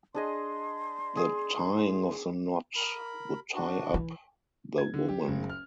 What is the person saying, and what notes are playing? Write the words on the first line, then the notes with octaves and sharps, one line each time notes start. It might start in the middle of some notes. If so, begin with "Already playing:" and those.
The tying of the knot would tie up the woman.
D4 G#4 D#5 C6
G#4
A#4 B5
D4 F#4
E3
G#6
D3
G4
F#1
F6